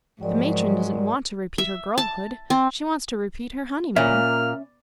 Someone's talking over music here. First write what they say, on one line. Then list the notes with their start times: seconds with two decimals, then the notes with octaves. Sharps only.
The matron doesn't want to repeat her girlhood--she wants to repeat her honeymoon.
0.21 G#2 F3 F#3 G#3 A#4 D5 G5
1.58 E5
1.98 A5
2.50 C4
3.96 A#2 A#3 C#4 E5 F6